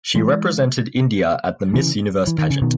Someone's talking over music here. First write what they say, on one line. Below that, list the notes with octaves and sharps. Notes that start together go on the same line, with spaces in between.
She represented India at the Miss Universe pageant.
E3 G#3
C#3 E3
E3
D#3
C#3
B2 D#3